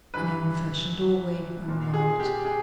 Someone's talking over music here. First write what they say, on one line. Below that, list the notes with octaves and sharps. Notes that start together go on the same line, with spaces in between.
"An old-fashioned doorway," I remarked.
G2 E3 B4
A#2
G#4
G4
G#4